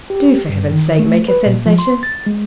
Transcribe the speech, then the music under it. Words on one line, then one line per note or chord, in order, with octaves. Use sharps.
Do for Heaven's sake make a sensation.
G4
G2
D#3
A3
B4
A#2
F3
C6
A6
G#3